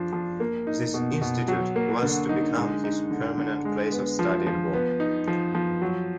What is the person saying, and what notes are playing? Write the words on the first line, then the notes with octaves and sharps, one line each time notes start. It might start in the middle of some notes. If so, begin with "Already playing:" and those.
This Institute was to become his permanent place of study and work.
Already playing: F3 D4
F3
A#3
D#4
B2
B2
F#3
A#3
D3
D#4
G#3
D#4
D3
D3
G#3
B3
F3
F3
B3
D#4
F3
F3
F#3